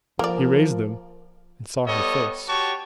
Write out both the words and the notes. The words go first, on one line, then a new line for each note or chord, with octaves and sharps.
He raised them, and saw her face.
F3 A#3 A#4 D5
G3 B3 A4 C#5 D#5
F#4 G4 C#5 A5 C#6